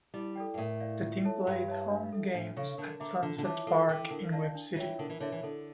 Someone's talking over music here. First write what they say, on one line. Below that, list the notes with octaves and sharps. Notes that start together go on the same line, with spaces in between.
The team played home games at Sunset Park in Webb City.
G3 E4
A4 D5 G5
G2
A2 A#4
D5 F5
F4
A4 C#5 E5 A5
G2 G4
C#5 E5 A5
D4
A4 E5
A2 D4
C#3 A4 C#5 F5 C#6
D3 A#4
D3 E5 A#5 D6
D3 F4
D3
E3 C#5 E5 A5 D6
F3 A4
E3 E5 G5 D6
D3 A#4
D5 F5 A5
D4
E3 F4 C#5 E5 G5
D3 A#4
E3
D3 C#5 E5
E3
D3 A4